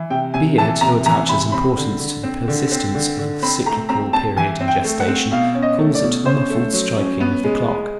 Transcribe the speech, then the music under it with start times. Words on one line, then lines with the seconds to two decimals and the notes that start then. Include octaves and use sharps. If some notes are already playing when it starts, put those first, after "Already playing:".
Beard, who attaches importance to the persistence of a cyclical period in gestation, calls it the muffled striking of the clock.
Already playing: E3
0.10 C3 G5
0.34 C3 G#5
0.58 E3 A5
0.81 C3 A#5
1.06 E3 A#5
1.29 C3 B5
1.52 C4 B5
1.77 D3
1.99 D3
2.23 C4
2.48 D3
2.72 C4
2.95 D3
3.19 D3
3.42 C4 B5
3.66 A3 A#5
3.89 C4 A#5
4.13 C4 A5
4.36 E3 G#5
4.60 C4
4.68 G5
4.84 A3
5.00 F#5
5.07 C4
5.31 B2 F5
5.55 C#4
5.62 D#5
5.78 A3
5.95 D5
6.02 B2
6.26 C#4 C5
6.50 A3
6.73 F#3
6.97 C#4
7.20 B3
7.44 G#3
7.68 G#3